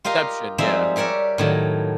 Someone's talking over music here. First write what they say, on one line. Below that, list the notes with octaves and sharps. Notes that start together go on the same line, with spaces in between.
Inception. Yeah.
F4 G4 A#4 D#5 F5
F3 G3 G#3 C4 D#4 E5
G4 A#4 C#5 D5 E5
A2 D#3 F#3